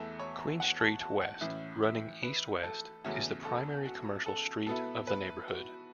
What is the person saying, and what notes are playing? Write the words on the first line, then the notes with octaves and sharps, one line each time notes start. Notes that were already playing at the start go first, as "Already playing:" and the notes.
Queen Street West running east-west is the primary commercial street of the neighbourhood.
Already playing: E2 E3 A3 E4 A4
C#5
F#5
A5
A5
F#5
A2 E3 C#4 E4 E5
E5
B4
A4
E2 C#3 A3 C#4 E4 F#4
A4
F#4
A4
B2 B3 E4 A4
B4
F#4